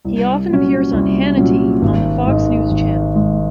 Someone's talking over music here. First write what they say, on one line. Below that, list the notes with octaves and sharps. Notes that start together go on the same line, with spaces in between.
He often appears on "Hannity" on the Fox News Channel.
C2
A#2 F#3 C#4
C2
A#2 F#3 C#4
G#1
G#2 D#3 G#3
G#1
G#2 D#3 G#3